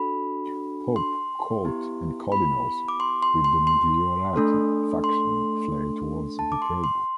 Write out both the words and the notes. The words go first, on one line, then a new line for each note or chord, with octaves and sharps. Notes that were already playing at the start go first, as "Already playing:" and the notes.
Pope, court and cardinals, with the Migliorati faction, fled towards Viterbo.
Already playing: D4 F#4 A4 B5
C6
B3 E4 G4
B5
D6
C6
C6
C6
C6
A3 D4 A4
C6
A5
D6
C6
C6